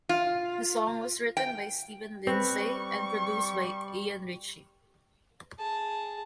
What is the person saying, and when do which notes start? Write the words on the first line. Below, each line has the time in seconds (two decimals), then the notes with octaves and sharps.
The song was written by Steven Lindsay and produced by Ian Ritchie.
0.09 F4
1.37 G5
2.27 G3 C4 B4 C#6
5.59 G#4 A5